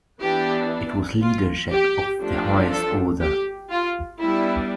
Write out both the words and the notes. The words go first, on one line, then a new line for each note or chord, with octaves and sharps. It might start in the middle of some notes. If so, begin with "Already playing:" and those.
It was leadership of the highest order.
E3 B3 D4 G4
F4
G4
F3 A3 D4
A4
G4
F4
G3 B3 D4 E4